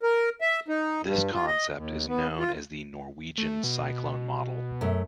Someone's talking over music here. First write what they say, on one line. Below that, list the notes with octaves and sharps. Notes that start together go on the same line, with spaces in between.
This concept is known as the Norwegian cyclone model.
A#4
E5
D#4
G2
F4
D#5
D#2
B3
F4
A3
B2
F#2 A3